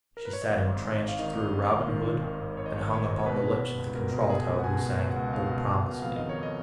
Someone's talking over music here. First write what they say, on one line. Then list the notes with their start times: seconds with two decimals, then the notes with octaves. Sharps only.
She sat entranced through "Robin Hood" and hung upon the lips of the contralto who sang, "Oh, Promise Me!"
0.17 A#4
0.25 B4
0.33 C#5
0.42 D#5
0.50 G#1 F5
0.67 G#2
0.85 G#1
1.02 G#1
1.08 F5
1.19 D#3 D#5
1.36 G#2
1.54 G#1
1.71 G#1
1.88 D#3
2.06 D#3
2.22 G#1
2.40 G#1
2.57 G#1 C#5
2.66 D#5
2.74 G#1 C#5
2.91 G#2 C#5
3.09 G#1
3.17 C#5
3.26 B2 B4
3.44 B2
3.61 B2
3.78 C#2
3.95 B2 A#4
4.12 B2 A#4
4.30 C#2 G#4
4.47 C#2
4.59 F#5
4.64 B2 G#5
4.82 B2
4.87 G#5
4.99 C#2
5.10 F#5
5.16 C#2
5.29 D#5
5.33 B2 F5
5.50 B2
5.67 C#2
5.85 B2
6.02 F2 F5
6.16 D#3 D#5
6.29 C#5
6.37 F2
6.43 D#5